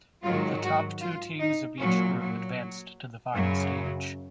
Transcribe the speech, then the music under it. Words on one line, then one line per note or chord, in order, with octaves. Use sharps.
The top two teams of each group advanced to the final stage.
G#2 D#3 F#3 F4
F#4
F4
D#4
A#2 F#3 C#4
F#3
F#2 C#3 F#3